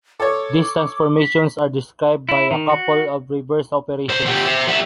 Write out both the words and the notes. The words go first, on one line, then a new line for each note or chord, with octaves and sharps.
These transformations are described by a couple of reverse operations.
A4 C#5 D6
B6
E4
D#3
F#4
C2 C5
D3 G4
C5 E5
G3 E5